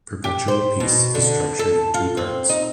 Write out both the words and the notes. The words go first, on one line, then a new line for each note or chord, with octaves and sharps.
"Perpetual Peace" is structured in two parts.
G4
C5
B2
D3
A4
F4
C4
D#4